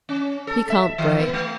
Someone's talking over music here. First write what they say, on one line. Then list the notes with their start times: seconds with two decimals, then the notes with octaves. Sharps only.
He can't bray.
0.09 C#4
0.47 A4
0.70 E5
0.98 E3
1.19 B3
1.33 A3